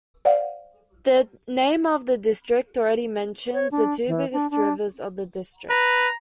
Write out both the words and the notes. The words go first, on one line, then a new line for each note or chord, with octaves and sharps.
The name of the district already mentions the two biggest rivers of the district.
C5 D5 F5 F#5
C#5
D4
E3
D4
D4
B4 A#5